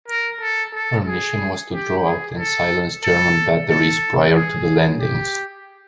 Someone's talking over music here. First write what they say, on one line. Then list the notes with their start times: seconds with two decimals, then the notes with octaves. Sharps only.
Her mission was to draw out and silence German batteries prior to the landings.
0.08 A#4
0.41 A4
0.73 A4
1.06 G#4
1.72 G4
2.05 G#4
2.38 A4
3.03 A4
3.69 A4
4.34 G#4
5.00 G4